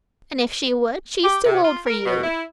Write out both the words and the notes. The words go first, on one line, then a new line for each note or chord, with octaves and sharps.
And if she would, she is too old for you.
G4
C3
F4
A#4
B2
E4